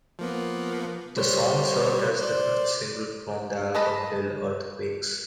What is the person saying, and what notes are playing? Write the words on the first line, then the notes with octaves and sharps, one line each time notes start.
The song served as the fifth single from the album "Little Earthquakes".
F3 A#3 B3
G3 C5 C#5
C5 D5
G#4 A4 B4 D#5 A5